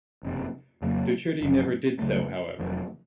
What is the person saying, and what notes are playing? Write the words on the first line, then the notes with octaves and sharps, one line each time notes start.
Docherty never did so, however.
F#1 F2 C3
F2 C#3 F#3 A#3
F#1 F#2 F3
C#2 C#3 F#3 A3
F1 F2 D#3 F#3